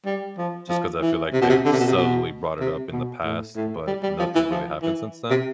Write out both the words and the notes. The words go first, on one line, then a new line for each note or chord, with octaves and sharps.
just 'cause I feel like they've subtly brought it up in the past, but nothing's really happened since then
G3
F3
F3
E3
C3
B2
C3
D3
C3
B2
C3
B2
C3
B2
A2
A2
G3
G3
F3
E3
F3
E3
C3